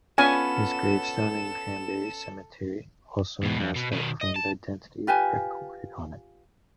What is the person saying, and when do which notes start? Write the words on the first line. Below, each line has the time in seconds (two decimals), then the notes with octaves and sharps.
His gravestone in Granbury Cemetery also has that claimed identity recorded on it.
0.18 B3 C#4 F4 A4 G#5 E7
3.43 E2 B2
3.58 F2
3.76 B2
3.92 B2 D#3
4.21 D#5
4.36 A5
5.07 F4 G4 B4 G#5